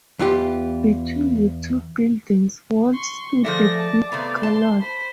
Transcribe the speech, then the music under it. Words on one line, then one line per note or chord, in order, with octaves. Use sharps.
Between the two buildings once stood the big Garland.
E2 E3 F4 G4
C6 C#6
F3 A3 G#4 D5 E5 A#6
A5
C3 A3 B3 F5
A5 C6
C5 B5